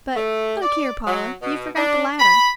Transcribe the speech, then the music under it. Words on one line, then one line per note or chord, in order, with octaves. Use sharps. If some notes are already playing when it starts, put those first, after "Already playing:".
But, look here, Paula, you forgot the ladder.
A3
D5
F#3
B2
D4
B5